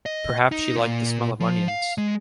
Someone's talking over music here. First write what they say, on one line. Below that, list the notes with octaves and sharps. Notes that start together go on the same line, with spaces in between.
Perhaps she liked the smell of onions!
D#5
D#4
A#2
F3
F5
G#3